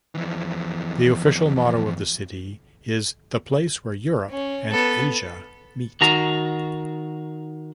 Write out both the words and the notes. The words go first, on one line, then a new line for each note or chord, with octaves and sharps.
The official motto of city is The place where Europe and Asia meet.
F2 E3
C#4
B3 A4
D#3 F#4 A#5